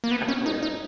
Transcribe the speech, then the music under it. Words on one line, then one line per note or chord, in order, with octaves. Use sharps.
I don't know.
A#3
B3
C#4
D#4
D#4